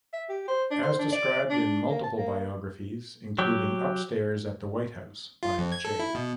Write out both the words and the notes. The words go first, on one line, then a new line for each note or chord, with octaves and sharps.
As described in multiple biographies, including "Upstairs at the White House" by J.
E5
G4
C5
D4
C5
D4
D5
D4
A#3
A5
A#3
F#3 G4
F4
F2
G#6
A4
E4
B2